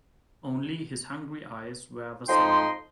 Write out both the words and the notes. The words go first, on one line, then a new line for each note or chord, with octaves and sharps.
Only his hungry eyes were the same.
F2 F3 D#4 D#5 G5 C6